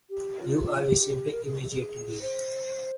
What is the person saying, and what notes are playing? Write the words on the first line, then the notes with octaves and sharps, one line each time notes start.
You are received immediately.
G4
F4
G4
A#4
G#4
G4
G#4
C5